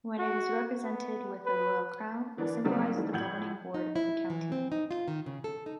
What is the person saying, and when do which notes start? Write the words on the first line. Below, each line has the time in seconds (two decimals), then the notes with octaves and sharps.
When it is represented with a royal crown, it symbolizes the governing board of the county.
0.19 F#4
0.84 B3
1.46 B4
2.37 D3 E3 B3 D4 A#4
2.64 G#2 C#3 F#3 G3 A3 C4
2.95 D#3 E3 G3 A3
3.12 F2 A2 F#5 G6 G#6 F#7
3.74 D#4
3.96 E4
4.30 E3
4.52 C4
4.72 D#4
4.91 F4
5.08 D#3
5.26 C#3
5.44 A4
5.66 D#4